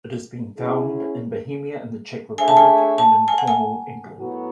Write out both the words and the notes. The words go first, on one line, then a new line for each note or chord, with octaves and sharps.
It has been found in Bohemia in the Czech Republic and in Cornwall, England.
F#3 C#4 E4 G#4
A3 D4 G#4 C#5 E5 G#5
A5
G#5
A5
G#5
F#5
G#5
A2 F#3 B3 F#4